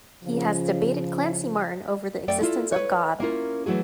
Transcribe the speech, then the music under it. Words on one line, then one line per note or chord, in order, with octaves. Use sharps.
He has debated Clancy Martin over the existence of God.
C#3 F3
F#2 A3 D5 G5
E4 F4 A4
B4 C#5
A#3 C#4 E4 F4 A#4
E3 F#3 A3 F#4 G#4